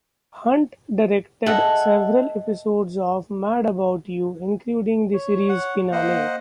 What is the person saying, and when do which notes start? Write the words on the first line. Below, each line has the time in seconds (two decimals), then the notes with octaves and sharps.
Hunt directed several episodes of "Mad About You", including the series finale.
1.46 G#4 A4 D#5 E5 F#5
5.14 C#5
5.49 F#5
5.92 A#3 C5 D#5 F#5